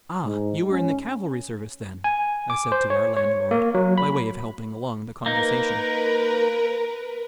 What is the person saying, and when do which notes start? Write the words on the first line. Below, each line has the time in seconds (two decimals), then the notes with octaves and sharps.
"Ah! you were in the cavalry service, then?" I said to our landlord, by way of helping along the conversation.
0.24 G#2
0.70 C#4
2.04 G#5
2.50 D6
2.72 C5
2.90 C#5
3.16 C#5
3.51 A#3
3.74 F#3
3.98 B5
5.26 A#3 D#4 A#4 B4